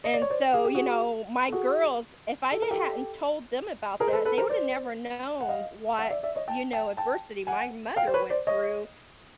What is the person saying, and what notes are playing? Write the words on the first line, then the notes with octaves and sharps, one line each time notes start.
and so, you know, my girls, if I didn't hadn't told them about that, they woulda never known what, you know, adversity my mother went through
D#5
D5
C#5
C5 D5
G#4
G4
F#4 G#4
A4
F#4 G#4
A4
A#4
G4 A4
G#4 A#4
C5
A4 B4
A4 B4
A#4 C5
C5 D5
F#5
D#5 F5
E5 F#5
D5 E5
D5 E5
C#5 D#5
G5 A5
G5 A5
G5 A5
F#5 G#5
F5 G5
C5
B4 C#5
C5 D5
C#5 D#5